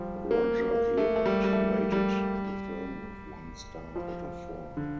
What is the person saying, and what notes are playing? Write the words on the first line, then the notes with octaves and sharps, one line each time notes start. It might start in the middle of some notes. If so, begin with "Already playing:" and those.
Roger Ebert rated the film with one star out of four.
Already playing: F3 G3
A#3
A#3
A3
A3
G3
G3
A3
G3
F3
D3